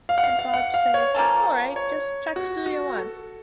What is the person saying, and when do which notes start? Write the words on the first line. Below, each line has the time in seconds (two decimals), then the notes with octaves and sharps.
And Bob say, 'All right, just check Studio One.
0.09 F5
0.18 F#5
0.24 F5
0.39 F5
0.54 F#5
0.74 F5
0.94 C#5
1.14 F3 A#3 C#4 A4
1.76 C#5
2.36 F#4
2.66 F#4
2.97 A4